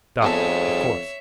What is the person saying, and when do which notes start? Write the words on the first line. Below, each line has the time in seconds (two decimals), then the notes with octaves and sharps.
"Doctor," of course.
0.22 F2 B3 G#4 A4 C5 C#5 E5